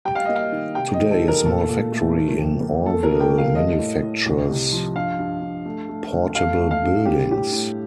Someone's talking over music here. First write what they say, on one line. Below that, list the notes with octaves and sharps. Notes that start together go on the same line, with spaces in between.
Today a small factory in Orrville manufactures portable buildings.
G3 G5
F5
A#3 D#5
F5
D#3
C3 G5
D#5
D#3
A4
G3
A#4
A#2 A4
A#2
A3
A#3
F2
A#3
A#3 A4
A#4
C3
G5
G3
F5
A3 D#5
A2
A2
C2
C3
F3
G2 F5
G2
G2
A3
A3
A3
A3 F5
A3
F5
G2
G3 G4
A2 G4
A2